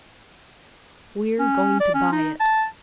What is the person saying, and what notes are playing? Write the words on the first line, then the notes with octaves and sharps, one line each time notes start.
"We're going to buy it."
C#4
D5
C#4
D#4
A5